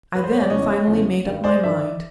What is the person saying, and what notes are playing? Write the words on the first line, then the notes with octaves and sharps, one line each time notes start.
I then finally made up my mind.
B4
C5
C#5
D5
E2 C#3 F3 C#5 D#5
E2 C#3 F3
G2 D#3
C5 D5
G2 D#3 D5 E5